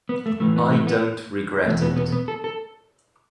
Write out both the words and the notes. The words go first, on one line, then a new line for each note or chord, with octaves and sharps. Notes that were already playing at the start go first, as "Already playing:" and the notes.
I don't regret it.
B3
A3
A2 E3 A3
B3
A3
B3
E2 B2 A3
B3
B3
B3
A4
A4